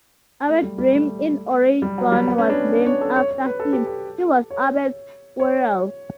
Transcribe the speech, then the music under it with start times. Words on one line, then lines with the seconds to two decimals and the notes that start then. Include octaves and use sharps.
Abert Rim in Oregon was named after him, as was Abert's Squirrel.
0.49 A3
0.63 G3
0.78 G3
0.93 A3
1.82 G3
1.98 F#3
2.12 G3
2.28 B3
2.38 C#4
2.50 D4
2.86 C#5
3.01 A4
3.16 C#5
3.31 C#5
3.46 B4
3.60 A4
3.73 G4
3.87 A4
4.51 C#5
5.40 C#5